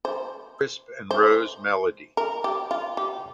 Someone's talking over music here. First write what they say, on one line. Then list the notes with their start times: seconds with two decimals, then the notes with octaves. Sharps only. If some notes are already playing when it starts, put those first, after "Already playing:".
Crisp and Rose Meleady.
0.05 C5
1.11 C5
2.17 A#4
2.44 G4
2.71 F4
2.97 G4